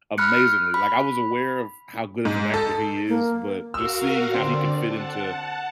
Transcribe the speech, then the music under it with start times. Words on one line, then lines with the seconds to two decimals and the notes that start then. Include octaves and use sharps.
amazingly, like, I was aware of how good of an actor he is, but just seeing how he could fit into,
0.18 B5 F6 F#6 C#7
0.74 B5
2.25 G#2
2.54 A4
3.08 A#3
3.74 F#4 A#4 F5 E6
4.34 D3 C4 D5
4.84 F#5 A5